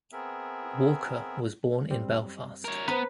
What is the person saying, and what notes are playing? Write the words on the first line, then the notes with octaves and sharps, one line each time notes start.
Walker was born in Belfast.
B3 C4 G#4 A#4 E5
F#2 G3 C4
A#4 C#5
B3 B4 C5 A#5